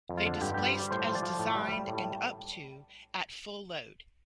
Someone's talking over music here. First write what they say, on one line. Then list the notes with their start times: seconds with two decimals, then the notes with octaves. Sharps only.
They displaced as designed and up to at full load.
0.09 F2
0.17 F4
0.26 D3
0.41 G2 G4
0.54 G3 G4
0.66 C5
0.74 G3
0.79 D5
0.91 A2 C5
1.07 F3
1.15 D5
1.23 F3
1.39 A2
1.55 G3
1.72 G3
1.88 A2
2.04 G3